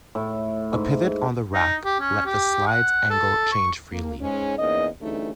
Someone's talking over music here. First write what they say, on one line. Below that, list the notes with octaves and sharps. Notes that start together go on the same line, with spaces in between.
A pivot on the rack let the slide's angle change freely.
A2
G#2
D#4
G4
C#4
G4
F#5
A4
C#6
A#3
G#2 G#3 C#4
E2 A#3 C#4 D#4 D#5
D2 G2 C#3 E3 A3 D#4